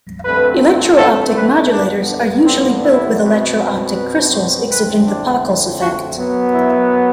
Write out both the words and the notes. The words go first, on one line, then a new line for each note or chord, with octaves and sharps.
Electro-optic modulators are usually built with electro-optic crystals exhibiting the Pockels effect.
G2 D3 A3 C4 B4
A4
B4
G2 D3 G3 B3 D4
D4
C4
E4
B2 F#3 C4
B4
C5
E2 D3 A3 C4 B4
D4
F#4
F#2 F#3 B3
E4